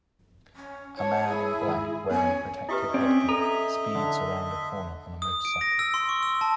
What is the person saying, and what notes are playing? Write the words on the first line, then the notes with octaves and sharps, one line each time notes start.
A man in black wearing protective headgear speeds around a corner on a motorcycle.
C#4
C#5 A5
E4 G#4
G#2 D#3
B3 C#4 C#5 G#5
E4 G4 B4 D#5 E5
C4 C#4 D5
A4 A#5
D3
D#6
D7
A#6
E6
C6
C#6
E6
A5